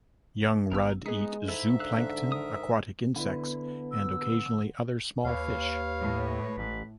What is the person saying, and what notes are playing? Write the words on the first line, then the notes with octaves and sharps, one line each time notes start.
Young rudd eat zooplankton, aquatic insects, and occasionally other small fish.
G#1 B3 A#4 E6
G#3 B3 D#4 G#4 B6
G#2 E4 A4 E5
D3 F5 E6 F#6
A#4 D#6
D3 B3 E4 B4
E6
D#2 B4 C#5 F5
A2
A1 B4